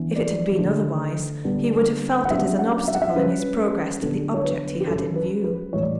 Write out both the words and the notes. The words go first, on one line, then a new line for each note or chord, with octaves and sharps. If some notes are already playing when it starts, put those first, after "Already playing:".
If it had been otherwise, he would have felt it as an obstacle in his progress to the object he had in view.
Already playing: E3 B3 D4
D5
D3 A3 D4
D3 G3 B3 D4
F#5
C#3 F#3 B3 D4 E5
F#5
E5
F#5
E5
C#3 G3 C#4 B4
D3 F#3 B3 D4 A4
C#5
B4
G4
C#3 F#3 C#4 A4
B4
B4
A2 E3 G3 C#5
D5